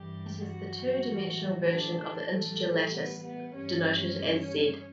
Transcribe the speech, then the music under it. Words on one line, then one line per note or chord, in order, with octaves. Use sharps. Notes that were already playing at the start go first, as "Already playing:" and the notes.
It is the two-dimensional version of the integer lattice, denoted as Z.
Already playing: G2 E3 G3 G4
F#3 F#4
A2 E3 G3
D3 D4
A2 E3 G3 A3 A4
B3 B4
B3 B4
G2 E3 G3 C#4 C#5
C#4 C#5